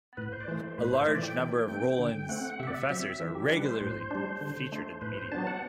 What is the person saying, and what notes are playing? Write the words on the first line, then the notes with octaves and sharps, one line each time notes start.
A large number of Rollins professors are regularly featured in the media.
A2 B4
C5
D5
E3 A3 C5
C5
A2 B4
C5
E5
E3 A3 D5
G5
E3
A3 C4 G5
D3 G5
A3 C4 F#5
C3 E5
D5
E5
F#3 C4
E3
G4
G3 D4 B4
C5
A2
G3 D4
D3
A3 D4
A2 B4
C5
F#3 B3 D4 A5
F#5